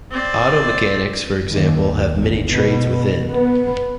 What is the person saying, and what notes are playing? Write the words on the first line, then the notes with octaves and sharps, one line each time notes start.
Auto mechanics, for example, have many trades within.
C4 D5
D#2
G1
B2
B3